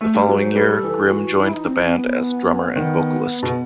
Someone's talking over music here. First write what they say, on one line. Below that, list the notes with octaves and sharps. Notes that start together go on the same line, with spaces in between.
The following year, Grimm joined the band as drummer and vocalist.
A3
G3
F#3 B4
C5
G3 B4
A4
E3
F#4
D#4
E4
D#4
C4
B3
D#3 B3
B2